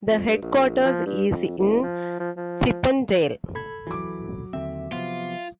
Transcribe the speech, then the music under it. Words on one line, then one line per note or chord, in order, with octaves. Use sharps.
The headquarters is in Chippendale.
F2
G2
A#1
F3
G2
F2
F#1
F3
F3
F3
A4 B5 G#6
E3 F#3 D6
D#2 D3 C4 E5
C3 F3 B3 F4